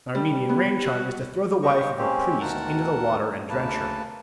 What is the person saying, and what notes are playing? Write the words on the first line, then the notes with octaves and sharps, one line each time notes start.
An Armenian rain-charm is to throw the wife of a priest into the water and drench her.
G3
B3
F#4
D3 B3 G4 C5 D#5 C#6
G#3 A#3 C4 C#4 G4
D2 B2 D#3 A#4 F#5 A5
D2 C#3 A#3 B4 A5